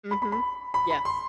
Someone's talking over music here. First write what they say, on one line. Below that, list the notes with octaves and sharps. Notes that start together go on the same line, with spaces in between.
Mhm, yes,
B5
B5
B5
B5
B5
C6